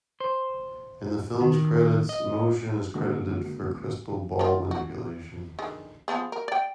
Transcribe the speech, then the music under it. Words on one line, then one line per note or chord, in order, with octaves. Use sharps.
In the film's credits, Moschen is credited for crystal ball manipulation.
C5
D#3
D#5
D3 G#3 A#3 F#4
D#3 F4
F#4
D3 D#3 G#4
F3 B3 G#4
A#4
D5 G5